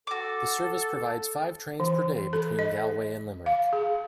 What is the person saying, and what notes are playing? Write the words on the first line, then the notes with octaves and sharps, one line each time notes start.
The service provides five trains per day between Galway and Limerick.
F#4 A4 D6
E3
A4
D#5
F5
G#4